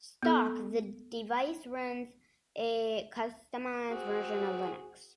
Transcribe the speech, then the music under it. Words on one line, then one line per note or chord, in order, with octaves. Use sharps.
Stock, the device runs a customised version of Linux.
B3 A4
C4 F#4 G#4